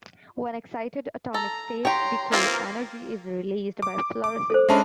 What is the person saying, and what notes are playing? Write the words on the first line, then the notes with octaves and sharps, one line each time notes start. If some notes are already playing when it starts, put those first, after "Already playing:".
When excited atomic states decay, energy is released by fluorescence.
A4 A#5
G4 C#5 G5 A#5 C6
E3 A#3 C4 F4 A#4
D6
D6
A4 C5
G#3 C#4 D4 E5 A5 B5